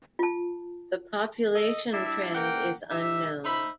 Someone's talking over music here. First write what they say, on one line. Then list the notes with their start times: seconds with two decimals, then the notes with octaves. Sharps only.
The population trend is unknown.
0.19 F4 A5
1.55 A4 D#5
1.93 G3 D4 E4 E5
2.35 C#3 A#3 F#5 G5
2.91 D#4 G4 E5
3.44 D#4 C5 E5 B5